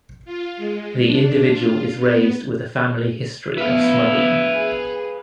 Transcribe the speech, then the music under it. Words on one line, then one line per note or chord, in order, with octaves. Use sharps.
The individual is raised with a family history of smuggling.
F4
G#3
D4
F4
B3
A2 F3 B3 E4 B4 F5
G#4